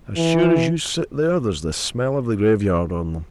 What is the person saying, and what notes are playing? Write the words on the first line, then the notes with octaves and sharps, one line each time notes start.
As sure as you sit there, there's the smell of the graveyard on them.
E3